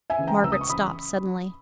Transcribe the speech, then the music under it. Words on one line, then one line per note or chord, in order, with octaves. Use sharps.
Margaret stopped suddenly.
E5 G#5
C#3 E3
G5 A#5
C#2 E6
D#6
C#6
C#3 E3 B5 D#6